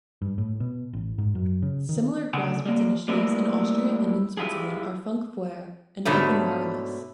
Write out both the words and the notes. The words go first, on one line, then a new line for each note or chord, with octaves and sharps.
Similar grassroots initiatives in Austria and in Switzerland are FunkFeuer and Openwireless.
G2
A2
B2
A1
G#2
F#2
C#3
D#3
D2 C#3 D4 F#5 G#5
G3 A#3
G3 A3 A#3 C4 E4
E4 F4 G4 G#4
G#2 B2 D3 A3 C#4